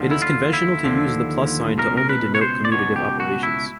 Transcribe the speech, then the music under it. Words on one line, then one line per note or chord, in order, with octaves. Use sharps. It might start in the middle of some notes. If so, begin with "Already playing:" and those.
It is conventional to use the plus sign to only denote commutative operations.
Already playing: D#2 D3 F3
E4
F4
E4
D#2 D3 F3
C#2 B2 A#4
A#4
B4
C#5
C5
D5
C#2 B2 C#5
G4
F#4
E4